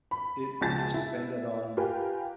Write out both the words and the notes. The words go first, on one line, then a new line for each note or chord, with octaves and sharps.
It it just depended on
B5
C#2 F3 G#5 A5 A6
E4
F4 G4 A#4 B4 G5 G#5